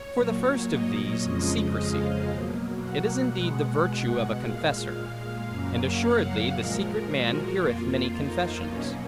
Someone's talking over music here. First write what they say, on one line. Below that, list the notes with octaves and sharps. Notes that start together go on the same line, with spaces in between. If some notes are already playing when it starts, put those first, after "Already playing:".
For the first of these, secrecy; it is indeed the virtue of a confessor. And assuredly, the secret man heareth many confessions.
Already playing: C#5
A#2 F#3 A#3
D#5
F2 C#3 F3 G#3
F5
B2 F#3 A#3
F#5
B2 G#3
A#2 G#3 F5
F5
F#2 C#3 F#3 A#3
F#5
A#2 F3 G#3 A#4
F#4
F2 F3 A#3 F4
D#4
B2 F#3 A#3 C#4